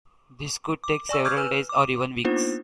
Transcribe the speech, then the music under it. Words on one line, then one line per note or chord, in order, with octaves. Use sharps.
This could take several days or even weeks.
D6
D5 G#5 C#6 E6
C#6 D6 E6 F6 G6 G#6
B4 G#5 E6 F6
D6
A#3 B3 D4 D#4 F4 C5